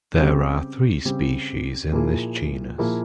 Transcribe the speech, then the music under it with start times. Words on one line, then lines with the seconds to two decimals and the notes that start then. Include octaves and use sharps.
There are three species in this genus.
0.19 C#3 G3 C4 G4
1.05 C#3 G3 C4 G4
1.92 A#2 F3 A#3 E4 G#4
2.78 A#2 F3 A#3 E4 G#4